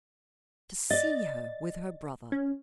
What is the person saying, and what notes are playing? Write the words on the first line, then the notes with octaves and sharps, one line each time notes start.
To see her with her brother!
D5 D#5 A6
C#4